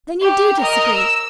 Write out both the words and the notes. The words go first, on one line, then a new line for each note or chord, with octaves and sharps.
Then you do disagree.
G4
A#4 D#5
E6